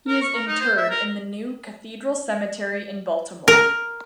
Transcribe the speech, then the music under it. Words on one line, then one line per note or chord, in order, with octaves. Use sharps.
He is interred in the New Cathedral Cemetery in Baltimore.
A#4
C#6
A#4
D#4
C5
E5
A#4
A#4